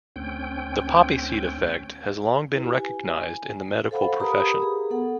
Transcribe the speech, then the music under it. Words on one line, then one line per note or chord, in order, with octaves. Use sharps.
The poppy seed effect has long been recognised in the medical profession.
D2 C4 C#4 G5
E4 G4 B4
G#5
A4 C5 F5 F#5 B5
G4 A#4 B4 A#5 B5 D#6
G#4
B3 A4 F#5